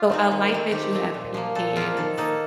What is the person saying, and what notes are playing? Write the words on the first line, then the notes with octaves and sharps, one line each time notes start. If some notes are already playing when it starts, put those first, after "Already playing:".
So, I like that you have pecans,
Already playing: F4 G4
A3 C4 D#4
D#3
A3 C4
D#3 G4
A3 C4
A#2
F3 A#3
A#2 A4
F3 A#3 F4
D#3 A4
A#3 D#4 A4